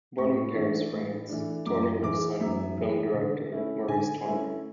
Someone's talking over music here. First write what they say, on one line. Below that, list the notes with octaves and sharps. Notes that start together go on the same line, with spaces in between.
Born in Paris, France, Tourneur was the son of film director Maurice Tourneur.
A2 C#6
E3 A3 D4
A2
E3 A3 D4
F#2 D6
E3 G#3 D6
F#2 E5
E3 G#3
D3
A3 C#4 E4
D3 G#5
A3 C#4 E4